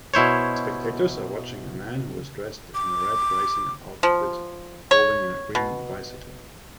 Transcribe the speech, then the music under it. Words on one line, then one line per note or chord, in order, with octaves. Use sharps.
Spectators are watching a man who is dressed in a red racing outfit holding a green bicycle.
B2 E4 C5 C#5
D6
F3
C#5
B2